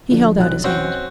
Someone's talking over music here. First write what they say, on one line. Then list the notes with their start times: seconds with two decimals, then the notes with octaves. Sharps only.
He held out his hand.
0.10 F2 D3 F3
0.37 F1 B1 F#6
0.64 C4 C#4 F#4